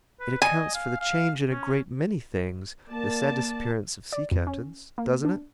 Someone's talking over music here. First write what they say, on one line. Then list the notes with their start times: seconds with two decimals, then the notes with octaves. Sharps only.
"It accounts for the change in a great many things,--the sad disappearance of sea-captains,--doesn't it?"
0.20 B4
0.42 D#5 G#5
0.75 F5
1.00 F5
1.50 C#4
2.90 A#3 D5 A5
4.12 D5
4.32 F2
4.47 C#4
4.98 A#3
5.25 D4